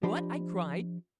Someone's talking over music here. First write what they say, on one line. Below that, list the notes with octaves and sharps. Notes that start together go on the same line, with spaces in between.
"What!" I cried.
F3 D4 G4 C5 D#5 B5